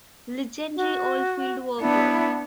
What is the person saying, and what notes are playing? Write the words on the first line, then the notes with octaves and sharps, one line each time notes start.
Legendary Oilfield Worker.
F#4
B3 D4 E4